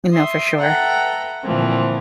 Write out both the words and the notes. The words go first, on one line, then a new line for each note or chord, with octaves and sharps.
You know, for sure.
E5 C6 D#6
A4 B4 E5 F#5 G5 A#5
A#2 D3 E3 F3 C4